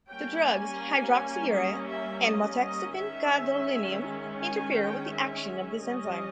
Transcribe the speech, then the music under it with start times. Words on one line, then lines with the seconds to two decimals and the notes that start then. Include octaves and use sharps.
The drugs hydroxyurea and Motexafin gadolinium interfere with the action of this enzyme.
0.10 G3 A#3 C#4 G5
0.46 G#5
1.54 D#5
1.90 E5
2.26 D#5
2.62 D#5
2.97 D#3 G#3 C#4 E5
4.41 G#5
4.77 G5
5.13 E5
5.85 G3 C#4 D#5